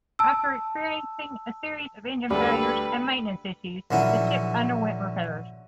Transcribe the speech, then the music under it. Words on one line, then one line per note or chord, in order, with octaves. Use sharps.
After experiencing a series of engine failures and maintenance issues, the ship underwent repairs.
A5 E6
D2 G3 A4 B4
A#1 D3 F#3 C#4 E4